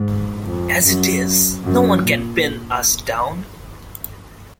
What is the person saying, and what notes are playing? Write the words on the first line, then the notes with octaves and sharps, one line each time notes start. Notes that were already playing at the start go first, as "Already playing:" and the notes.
As it is, no one can pin us down.
Already playing: G#2
F2
F#2
F#2
A#2